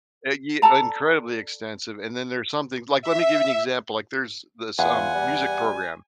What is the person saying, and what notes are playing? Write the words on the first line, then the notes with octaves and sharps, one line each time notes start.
Uh, ye incredibly extensive, and then there's something like, let me give you an example, like there's this, um, music program
A4 D5 A5 A#5
E5
E2 F4 F#5 G#5
G3